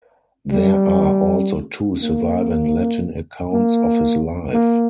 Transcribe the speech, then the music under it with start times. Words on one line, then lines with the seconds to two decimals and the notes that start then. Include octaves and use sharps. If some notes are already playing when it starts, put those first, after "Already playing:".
There are also two surviving Latin accounts of his life.
0.52 G3
2.03 A#3
3.53 A#3
4.54 A#3